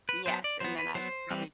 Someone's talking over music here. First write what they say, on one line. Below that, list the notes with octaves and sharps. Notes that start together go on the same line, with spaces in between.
Yes, and then I should probably
B4
F#3 B3 C5
D5
F#3 B3 C5
B4
F#3 B3 C5
E3 G3 C4